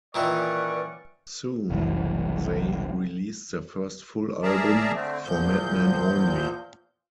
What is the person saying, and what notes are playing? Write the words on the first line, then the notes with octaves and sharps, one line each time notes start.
Soon, they released their first full album,"For Madmen Only".
A#2 D#3 E3 C#4 B4 D5 C#6
F#1 C2 F#2 E3
G#4 A#4 D5 E5 A5 A#5
D3 A3 C4
E2 A#2 F3 G6